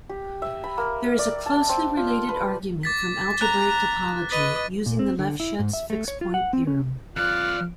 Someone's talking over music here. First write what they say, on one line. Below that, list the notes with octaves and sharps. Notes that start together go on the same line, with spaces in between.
There is a closely related argument from algebraic topology, using the Lefschetz fixed-point theorem.
G4
E5
B5
A#3
D5
A5
C4
F4
B4
D6 A6 B6
A#5 F#6
B4 D#5 A6 B6 D#7
A#2
C4
D3
E4
G#2
E5
A3
C#5
F4
F#5
C4
C#4
F2 F4 D5 F6 F#6